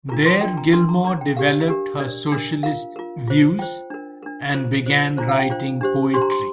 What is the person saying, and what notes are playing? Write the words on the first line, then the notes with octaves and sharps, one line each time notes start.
There Gilmore developed her socialist views and began writing poetry.
D4 F4 A#4 A#5
C6
D4 F4 A#4 G5
A#5
D4 A#4 C6
A#5
D4 A#4 A#5
G5
D4 G4 A#4 F5
D4 G4 A#4
D4 A#4 D5
D4 A#4
F4 A#4 F5
F4 A#4
F4 C5
F4 C5 G5
D4 A#4
D4 A#4
F4 C5
F4 C5
D4 F4 C5 A#5
F5
G5
D4 F4 C5
D4 G4 C5
D4 G4 C5 C6
A#5
C6